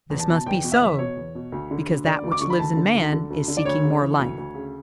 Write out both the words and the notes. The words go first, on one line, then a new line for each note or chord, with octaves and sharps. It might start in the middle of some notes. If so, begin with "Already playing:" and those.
This must be so, because That which lives in man is seeking more life.
E2
A5
B2
A5
E2 G5
B2
E5
E2
B2 C#5
E2
B2
D2
D3
D2
D3 D5
D2
D6
D3 C#6
B5
D2 A5
D3
D2
D3
D2
D3
D5
D2 C#5
C#3
E3
D2
D2
C#3